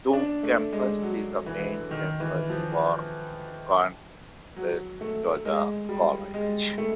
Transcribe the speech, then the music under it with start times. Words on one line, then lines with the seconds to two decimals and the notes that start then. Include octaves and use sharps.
Doon Campus is the main campus for Conestoga College.
0.13 D4
0.43 A3
0.72 G#3
1.02 F#3
1.46 E3
1.91 D#3
2.20 E3
2.50 F3
4.56 F#3
5.01 A3
5.45 G#3
5.89 G3
6.34 G#3
6.78 A3